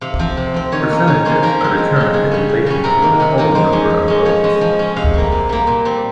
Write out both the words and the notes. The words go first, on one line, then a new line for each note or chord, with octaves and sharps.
Percentages are determined in relation to the total number of votes.
C3 F5
F3 C4
C3
F3 C4
D#3 C#5
A#3 C#4
D#3 C#5
A#3 C#4 C5
F3 A#4
G#3 C4
F3
G#3 C4
C#3 G#4
G3 C#4
C#3
G3 C#4
C3 A#4
D#3 A#3
C3
D#3 A#3
F3 C5
G#3 C#4
F3
G#3 C#4
F3 C#5
G#3 C#4
F3
G#3 C#4
C3 F5
G3 A#3
C3
G3 A#3
A#2
G3 C4